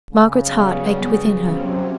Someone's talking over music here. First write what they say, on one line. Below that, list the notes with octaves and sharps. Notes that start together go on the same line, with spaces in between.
Margaret's heart ached within her.
C#3
F#3 G3 B3
F#3 C4 C#4
A2 C3